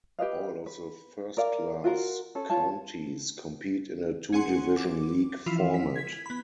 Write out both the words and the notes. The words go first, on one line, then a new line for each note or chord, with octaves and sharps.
All of the first-class counties compete in a two-division league format.
G4 B4 D#5 F5
B4
A#4 D5 F5
F4 F#4 A#4 F5
C#4 A4
F4 C#5 A5
C#4 G#4 F#5 G#5 C6 C#7
D6
E3 F3 E4 F4
B6
G#6 B6
B3 B5